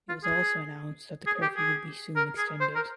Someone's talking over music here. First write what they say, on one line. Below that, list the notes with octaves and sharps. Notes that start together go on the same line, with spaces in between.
It was also announced that the curfew would be soon extended.
F4
G#4
G#4
G4
G#4
A#4
G#4
C5
A#4